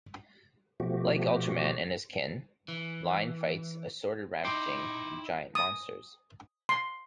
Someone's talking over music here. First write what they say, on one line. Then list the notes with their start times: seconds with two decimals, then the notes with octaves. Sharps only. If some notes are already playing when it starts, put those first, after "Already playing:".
Like Ultraman and his kin, Line fights assorted rampaging giant monsters.
0.80 B2 F3 A3 F#4 G4
2.68 E3
4.44 D#4 E4 G5 C6 D6
5.55 D#6
6.69 C6